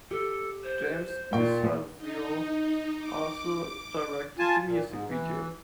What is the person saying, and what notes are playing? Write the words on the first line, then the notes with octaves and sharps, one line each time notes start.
James Di Salvio also directed the music video.
G4 A4
C5
A#2 A#4 G5 C#6
D#4
D6
F4 G#5 A5
A#2
G#2
E3